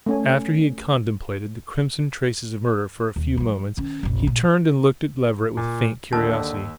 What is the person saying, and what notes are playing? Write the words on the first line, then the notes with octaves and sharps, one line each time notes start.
After he had contemplated the crimson traces of murder for a few moments, he turned and looked at Leverett with faint curiosity.
A3 C#4 G#5
D#2
F3 F#3
D#3 C#4
F1 A#1
A#2
A#2
D#2 D3 A5 E6